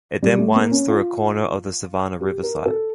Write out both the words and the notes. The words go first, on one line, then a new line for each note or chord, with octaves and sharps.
It then winds through a corner of the Savannah River Site.
G3
A3
A#3
C#4
F4
G4
A#4
A4